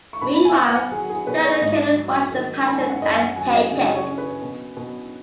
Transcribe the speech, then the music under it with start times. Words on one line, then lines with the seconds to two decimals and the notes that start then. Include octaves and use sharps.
Meanwhile, Stan and Kenny watch "The Passion" and hate it.
0.13 C#6
0.21 B2 B5
0.34 B5
0.45 G#5
0.57 B3
0.69 F#5
0.92 F#3 G#4
1.09 G#4
1.27 B2 B4
1.44 C#5
1.62 G#2 D#5
1.96 F#3
2.31 D#3
2.66 C#4 B5
2.79 G#5
2.90 F#5
3.01 F#2 D#5
3.15 G#5
3.19 F#5
3.36 F#3 G#5
3.55 D#5
3.71 C#3 G#4
3.86 D#5
3.95 C#5
4.07 C#4
4.18 B4
4.42 B2
4.77 B2